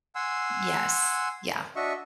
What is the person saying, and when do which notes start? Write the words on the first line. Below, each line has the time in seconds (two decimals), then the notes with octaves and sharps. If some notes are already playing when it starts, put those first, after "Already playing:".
Yes. Yeah.
0.15 F#5 G#5 C6 E6
1.76 D4 F#4 D#5 E5 C#6